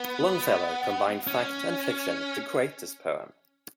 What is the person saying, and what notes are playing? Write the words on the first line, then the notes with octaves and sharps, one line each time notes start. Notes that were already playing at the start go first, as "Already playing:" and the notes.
Longfellow combined fact and fiction to create this poem.
Already playing: B3
C#4